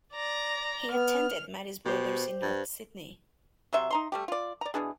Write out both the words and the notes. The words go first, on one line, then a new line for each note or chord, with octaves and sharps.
He attended Marist Brothers in North Sydney.
D5 A#5
B3 F6
B2 G4 C5
G2
C3 F#3 E5 C6
D#4 A#5 C6
G3 A3 G4
F4 D5
D5 A#5
B2 E3 D4 G#4